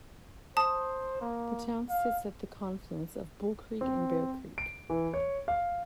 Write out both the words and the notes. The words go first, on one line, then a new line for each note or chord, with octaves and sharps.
The town sits at the confluence of Bull Creek and Bear Creek.
C5 A5 D#6
A#3
F5
C4
D7
E3
C#5
F5